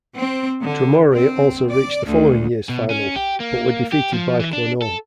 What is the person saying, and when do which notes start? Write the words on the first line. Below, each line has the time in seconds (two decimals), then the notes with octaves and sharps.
Dromore also reached the following year's final, but were defeated by Clonoe.
0.16 C4
0.61 D3
1.14 C4
1.69 D5
2.06 D2
2.69 B2
2.90 C#4
3.16 G4
3.40 A#3
3.92 G4
4.13 F3
4.40 E3
4.53 D4
4.82 A4